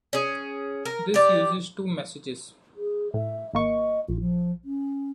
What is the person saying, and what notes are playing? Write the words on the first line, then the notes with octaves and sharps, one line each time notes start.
This uses two messages.
C#4 G#4
A#4
G4 D5
G#4
A2 E5
G#1 A#3 D#5 C#6
A#1 F4
F3
C#4